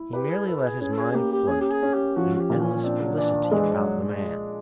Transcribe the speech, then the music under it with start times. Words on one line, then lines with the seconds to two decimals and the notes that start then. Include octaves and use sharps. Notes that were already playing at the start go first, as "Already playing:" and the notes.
He merely let his mind float in an endless felicity about the man.
Already playing: E4
0.13 G4 B4
0.31 G#4
0.48 A4 B4
0.64 G#4
0.81 C#4 G#4
0.92 A4
0.99 G#4
1.11 G#4
1.14 A#3 G4
1.32 G4
1.48 C#4 G#4
1.61 G4
1.71 G#4
1.83 C#4
1.94 G4
2.17 F3 F#4
2.35 F#4
2.39 G4
2.50 A#2
2.62 C#4
2.84 C4 D4
3.01 F#3
3.18 E3 D4
3.35 D#3
3.44 F3
3.51 E3 G#3
3.74 F#3